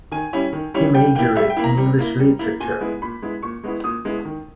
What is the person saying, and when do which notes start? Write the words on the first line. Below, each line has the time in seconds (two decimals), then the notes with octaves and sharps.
He majored in English literature.
0.11 D#3 G#5
0.33 G3 C#4 E4
0.53 D#3
0.74 G3 C#4 E4
0.94 G3 G5
1.15 A#3 E4 G5
1.35 G3 E5
1.50 G5
1.57 A#3 E4
1.64 A#5
1.77 G3
1.99 A#3 E4
2.19 G3
2.39 A#3 E4
2.60 A#2 G#5
2.81 G#3 B3 E4
3.02 A#2 B5
3.22 G#3 B3 E4
3.42 A#2 C#6
3.63 G#3 B3 E4
3.84 A#2 D#6
4.05 G#3 B3 E4
4.25 D#3